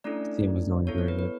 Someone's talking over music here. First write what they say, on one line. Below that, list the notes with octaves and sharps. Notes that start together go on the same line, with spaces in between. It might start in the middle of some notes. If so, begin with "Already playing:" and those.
his team was going very good.
A3 C#4 D4 E4 A4 D5
B3 E4 A4 C#5
C#5
B4
B4